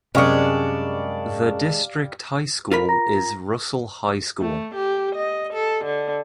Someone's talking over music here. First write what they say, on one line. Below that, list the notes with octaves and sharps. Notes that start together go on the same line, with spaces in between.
The district high school is Russell High School.
F#2 C3 G3 G#3 D4 F5 C#6 C#7
F4 A#4 B5
A#5 A#6
A3
G4
D#5
A4
D3